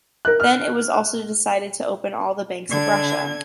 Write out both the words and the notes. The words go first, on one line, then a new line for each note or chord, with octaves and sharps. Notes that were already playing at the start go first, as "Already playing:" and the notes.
Then it was also decided to open all the banks of Russia.
A#4 F#6
F6
D3 G#6